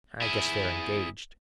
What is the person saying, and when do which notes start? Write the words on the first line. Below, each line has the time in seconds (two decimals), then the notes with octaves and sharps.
I guess they're engaged.
0.22 E4 G#4